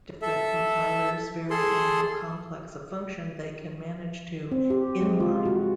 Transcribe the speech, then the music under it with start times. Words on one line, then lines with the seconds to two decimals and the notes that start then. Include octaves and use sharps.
Different compilers vary in how complex a function they can manage to inline.
0.22 A4 E5
1.50 G#4 A4 C6
4.51 C4
4.70 G4
5.02 G#3
5.20 F4
5.45 F#4